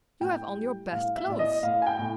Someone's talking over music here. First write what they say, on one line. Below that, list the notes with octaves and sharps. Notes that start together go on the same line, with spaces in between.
You have on your best clothes!
A2 G5
G3
A2 F5
E5
A2 D5
D#5
A2 F5
G#5
G5
A2